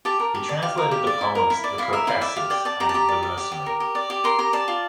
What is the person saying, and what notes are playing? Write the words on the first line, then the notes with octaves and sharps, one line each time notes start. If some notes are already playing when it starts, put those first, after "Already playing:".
He translated the poems "The Caucasus" and "The Mercenary".
G4 A5
A#4
G4
D5
G4 F5
A#4
G4
D5
E4
A#4
E4
D5
E4 F5
A#4 E5
E4 F5
D5 E5
G4 F5
D5 G5
D5 A5
G4 A#5
A5
G4 A#5
D5
D5
G4
G4
A#4
G4
D5
G4
A#4 C6
G4 A#5
D5 A5
F4